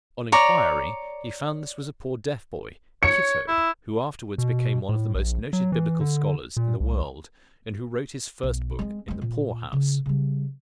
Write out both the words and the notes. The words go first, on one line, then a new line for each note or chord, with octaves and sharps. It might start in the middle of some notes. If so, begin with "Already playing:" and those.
On inquiry he found this was a poor deaf boy, Kitto, who afterward became one of the most noted Biblical scholars in the world, and who wrote his first book in the poor-house.
C#5 D5 A#5
C#5 C#7
E4
B2
A2
A#1
F#3
E3
D3
A#2
C2
B1
G#3 C4
G#3 C4
A#2
C#3
C#3 G3